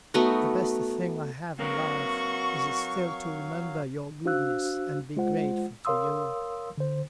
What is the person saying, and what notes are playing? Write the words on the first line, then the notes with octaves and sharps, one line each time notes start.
The best thing I have in life is still to remember your goodness and be grateful to you.
A3 B3 D#4 F#4
F#3 C4 F#4 A#4 B4 F5 C#6
D4 F#4 C5 F5 E6 F#6
G#3 F4 C5 F#5
A#4 C#5 F5 C6 D#6 E6
D3 C5